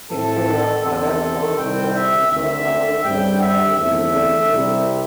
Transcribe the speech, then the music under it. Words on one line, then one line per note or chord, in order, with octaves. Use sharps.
History of other Tobu Bus Nikko companies does not list in the page.
A2 A3 C4 A4
E2 C3 E3 C4 A4
C2 C3 G3 C4 G5
E5
D2 D3 A3 C4 E5
G2 G3 C4 G5
E5
E2 C3 A3 C4 E5
C2 C3 G3